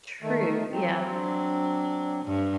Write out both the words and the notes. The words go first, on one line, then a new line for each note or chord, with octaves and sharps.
True, yeah.
D#3 A3
F#3 C4
D4
G2